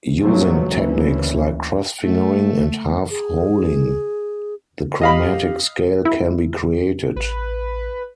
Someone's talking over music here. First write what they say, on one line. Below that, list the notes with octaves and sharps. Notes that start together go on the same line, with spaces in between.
Using techniques like cross-fingering and half-holing, the chromatic scale can be created.
A#2 F3 F#3 G#3 A3 B3
D2 E3 A#3 C#4
A3
G#4
G4 D#5 F5 B5
E4
A1 B4